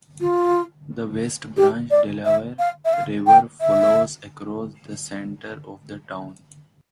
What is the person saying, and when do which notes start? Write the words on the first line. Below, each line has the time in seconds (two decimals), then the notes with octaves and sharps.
The West Branch Delaware River flows across the center of the town.
0.21 F4
1.57 G4
1.91 D5
2.25 E5
2.59 F5
2.85 E5
2.93 F5
3.27 G5
3.61 E5